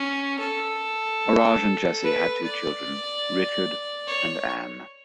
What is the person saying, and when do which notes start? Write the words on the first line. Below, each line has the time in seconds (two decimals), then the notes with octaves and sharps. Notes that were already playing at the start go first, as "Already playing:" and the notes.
Orage and Jessie had two children, Richard and Ann.
Already playing: C#4
0.39 A4
2.03 B4
2.44 D5
4.07 C#5